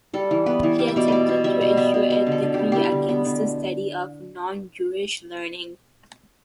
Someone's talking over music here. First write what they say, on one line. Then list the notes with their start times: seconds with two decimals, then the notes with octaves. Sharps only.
He attempted to issue a decree against the study of non-Jewish learning.
0.14 G3 A4
0.31 E3
0.46 B3 B4
0.63 E3
0.79 G3 D5
0.88 E5
0.96 B2 D5
1.08 B3 B4 D5
1.29 B2
1.44 G3 E5
1.61 B2
1.77 B3 E5
1.94 B2
2.10 B3 B4
2.27 D3
2.32 A4
2.43 D3
2.54 G4
2.59 B3
2.72 G3 E4 G4
2.92 D3
3.09 B3
3.25 D3